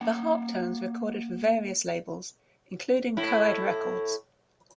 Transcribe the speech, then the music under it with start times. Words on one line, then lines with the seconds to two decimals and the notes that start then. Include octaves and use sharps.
The Harptones recorded for various labels, including Coed Records.
0.01 A#3 F#5
3.17 A2 E4